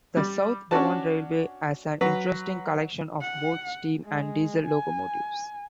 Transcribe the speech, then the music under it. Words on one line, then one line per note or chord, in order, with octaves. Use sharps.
The South Devon Railway has an interesting collection of both steam and diesel locomotives.
G3
C#4 D4 F#4 A5
F#3 B4
F#5
G#3
G#5